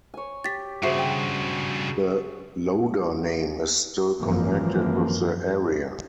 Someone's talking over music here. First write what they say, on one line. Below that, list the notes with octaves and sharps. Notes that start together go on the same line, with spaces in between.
The Loder name is still connected with the area.
C#5 G#5
G4 A6 B6
G2 C#3 F#4 G#4 C5 E5 C7
G5
G#1 F#2 E3 F3 A#3